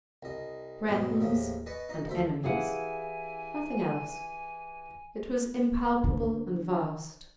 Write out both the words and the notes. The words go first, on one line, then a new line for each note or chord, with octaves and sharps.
"Friends and enemies"--nothing else. It was impalpable and vast.
C2 D#5
E2 G#2 B2
D#2 A2 F3 G#4
B4 D#5 G#5 A5 C#6
D#4 D#5
D2 C5 E5
E3 E4 G4 G#4 F5 F#5 G#5
D3